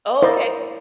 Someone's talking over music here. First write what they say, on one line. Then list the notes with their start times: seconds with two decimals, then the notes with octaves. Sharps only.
Oh, okay.
0.22 E4 A#4 C5 D5 D#5 F5